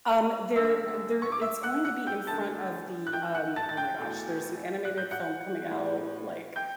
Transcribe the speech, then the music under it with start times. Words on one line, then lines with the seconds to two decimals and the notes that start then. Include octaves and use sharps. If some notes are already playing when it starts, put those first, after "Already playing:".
Um, there uh, there it's going to be in front of the, um- oh my gosh- there's an animated film coming out, like
0.56 F#2 D3 A3 E5 E6
1.22 C#6
1.32 D6
1.41 E5 E6
1.63 F#5 F#6
1.85 F#5 F#6
2.07 G5 G6
2.27 F#2 D3 A3 A5 A6
3.07 F#6
3.13 G5 G6
3.35 F#5 F#6
3.56 A5 A6
3.69 A6
3.77 G5 G6
3.99 E2 B2 A3
4.85 F#6
4.98 G6
5.11 F#5 F#6
5.71 A2 G3
6.56 G5 G6